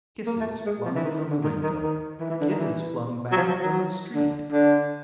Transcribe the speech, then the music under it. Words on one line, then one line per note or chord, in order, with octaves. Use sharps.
Kisses flung from the window; kisses flung back from the street.
A#3
A3
G#3
F3
E3
D#3
D#3
D3
D#3
D#3
D#3
E3
E3
D3
D#3
E3
F#3
F3
F#3
F#3
D3
D3